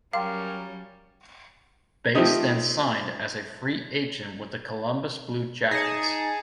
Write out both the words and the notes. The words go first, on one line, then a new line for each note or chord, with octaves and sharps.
Bass then signed as a free agent with the Columbus Blue Jackets.
F#3 G3 C#4 A#4 F5 G5 C6 D6
F3 A3 C4 D#4 G4 D#5
D#4 G#4 A5 A#6 C#7